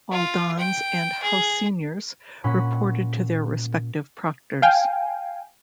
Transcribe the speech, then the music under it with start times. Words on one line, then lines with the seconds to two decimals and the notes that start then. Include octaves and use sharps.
All Dons and House Seniors reported to their respective Proctors.
0.12 F4
0.59 G5
1.23 G#4
2.44 A#2 C#4 F#5 B5
4.62 F5 G5 G#5